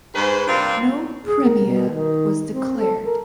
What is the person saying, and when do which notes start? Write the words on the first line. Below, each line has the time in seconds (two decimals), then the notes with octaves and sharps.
No Premier was declared.
0.15 G#2 B4 C5
0.47 C3 G3 A#3 C4 D4 F4
1.25 G#4
1.44 A#4
1.65 B2
1.89 D#3
2.49 C4
2.77 A4
3.05 A#4